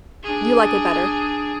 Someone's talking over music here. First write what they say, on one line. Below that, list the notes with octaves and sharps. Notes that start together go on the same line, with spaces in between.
You like it better?
D4 G#4